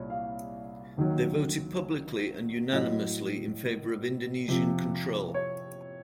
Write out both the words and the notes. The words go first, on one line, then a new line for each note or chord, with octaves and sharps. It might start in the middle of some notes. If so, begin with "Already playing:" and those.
They voted publicly and unanimously in favour of Indonesian control.
Already playing: C2 A#2 C#5
F5
D#2 D#3 F#3
A2 F#3 D#5
F2 C3 F3
C#5